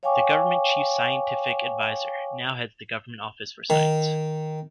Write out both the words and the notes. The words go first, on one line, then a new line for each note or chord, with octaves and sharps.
The Government Chief Scientific Advisor now heads the Government Office for Science.
C#5 F5 G5 G#5 C#6 D6
D#3